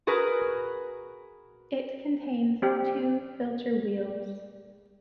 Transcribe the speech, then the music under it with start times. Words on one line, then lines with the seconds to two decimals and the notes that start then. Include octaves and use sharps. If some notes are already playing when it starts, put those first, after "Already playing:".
It contains two filter wheels.
0.07 F#4 G#4 A#4 B4
2.62 C4 G4